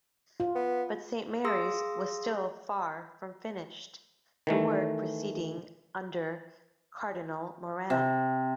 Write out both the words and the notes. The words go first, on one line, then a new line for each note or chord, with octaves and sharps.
But Saint Mary's was still far from finished, the work proceeding under Cardinal Moran.
F4
B3
G#4 F5 C6 D#6 E6 A#6
D#3 E3 A3
C3